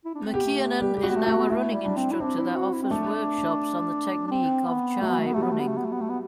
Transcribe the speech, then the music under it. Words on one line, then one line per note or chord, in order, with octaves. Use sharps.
McKiernan is now a running instructor that offers workshops on the technique of ChiRunning.
E4
D4
C4
B3 G4
A3
G3 G4
G4
F#4
B3
A3
F#4
B3
A3 E4
G3
D4
C4
E4
C4 D4
E4
F#4
E4
C4
A3 D4
D4
C4
B3
F#3 A3
B3
A3
B3
G3 A3
B3
A3
B3
A3
B3
A3
B3
A3
B3